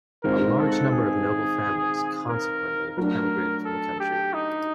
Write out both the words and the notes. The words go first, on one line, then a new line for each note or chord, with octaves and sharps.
A large number of noble families, consequently, emigrated from the country.
D#3 G#3 C4 F4 A#4
A4
G#4
A#4
F#3 A3 D4 A#4
A4
G4
D#4